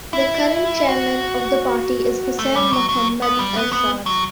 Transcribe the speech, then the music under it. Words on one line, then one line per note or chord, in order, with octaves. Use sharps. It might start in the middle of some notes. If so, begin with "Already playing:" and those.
The current chairman of the party is Hussain Mohammad Ershad.
E4
F#4
A3
G3
F#3
F#3
B3
G3
B3
B3
F#3